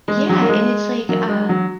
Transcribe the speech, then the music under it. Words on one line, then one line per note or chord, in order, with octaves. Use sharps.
Yeah, and it's like um,
G#3
F#3
A#3
G#3
F#3 A#3
G#3
F#3